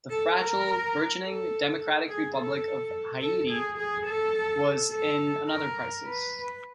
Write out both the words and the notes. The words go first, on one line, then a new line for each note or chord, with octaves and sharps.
The fragile, burgeoning democratic republic of Haiti was in another crisis.
A4
A#4
A4
G#4
A4
A4
G#4
G#4
A4
A4
A#4
B4